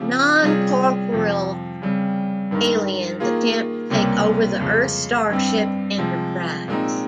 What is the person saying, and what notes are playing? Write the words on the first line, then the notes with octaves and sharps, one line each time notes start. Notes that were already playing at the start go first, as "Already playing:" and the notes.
Non-corporeal aliens attempt to take over the Earth starship "Enterprise".
Already playing: C#3 F3 C4 G4
C3 G3 C#4 F4 G#4
F2 C3 F3
C#3 G3 C4
G2 D#3 G#3
D#3 A#3 F4 G#4
C#2 C3 G3 A#3 C#4
F2 C#3 G#3
G2 G3 C4
C3 F3 G#3
A#2 G#3 C4 D#4